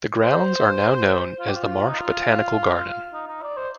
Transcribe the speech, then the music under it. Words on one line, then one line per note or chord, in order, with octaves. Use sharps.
The grounds are now known as the Marsh Botanical Garden.
C5
F4
G4
F4
D#4
F4
D#4
D#4
D5
C5